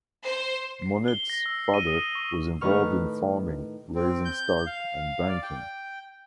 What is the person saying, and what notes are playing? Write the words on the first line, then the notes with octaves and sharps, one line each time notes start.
Monnette's father was involved in farming, raising stock, and banking.
C5
C7
G7
A#6
E6
C7
D#7
D#6
C#6
A2 D#3 B4 C#6 F6
C4
G6
F5
D5
G5